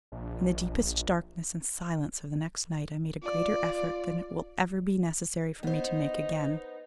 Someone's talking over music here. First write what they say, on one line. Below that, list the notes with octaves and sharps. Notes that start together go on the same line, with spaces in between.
In the deepest darkness and silence of the next night I made a greater effort than it will ever be necessary for me to make again.
A#1
F4 D5
B3 D#4 C5